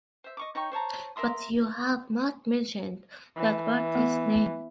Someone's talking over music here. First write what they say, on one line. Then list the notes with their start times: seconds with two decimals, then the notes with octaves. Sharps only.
But you have not mentioned that party's name.
0.24 C5 E5
0.37 D#5 C#6 D6
0.55 D#4 C#5 G5 C#6
0.72 C5 C#5 A5 A#5
1.16 A#4 E5 C6 D#6
3.37 E3
3.95 B3